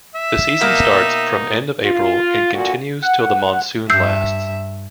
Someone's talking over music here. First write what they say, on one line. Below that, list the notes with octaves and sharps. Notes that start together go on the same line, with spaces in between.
The season starts from end of April, and continues till the monsoon lasts.
E5
B2 A#3 D#4
F4
A#2 D3 F#4
F#5
G2 E5 E6 G6 C7